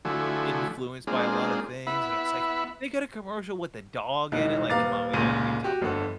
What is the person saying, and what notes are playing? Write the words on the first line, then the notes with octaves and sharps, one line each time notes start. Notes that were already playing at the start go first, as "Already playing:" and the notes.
influenced by a lot of things, and it's like, they get a commercial with a dog in it. Like, "Come on, we gotta go get Taco Bell."
D3 F3 A3 E4 F#4 G#5
G#3 A#3 C4 D4 F4 G#4
B3 E4 E5 F#5 B5
E1 C2 D#4 F#6
D#1 B3 F5 A#5 D6 A6
F1 C#2 A#2 C#3 D#7
F#4 G4
G1 F2 D3 A4 F#5